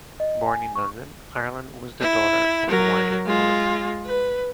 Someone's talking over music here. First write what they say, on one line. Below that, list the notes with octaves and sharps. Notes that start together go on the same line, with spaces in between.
Born in London, Ireland was the daughter of a wine importer.
D#5
G#5
C#6
E4
F#3 A#4
G#3 F4
B4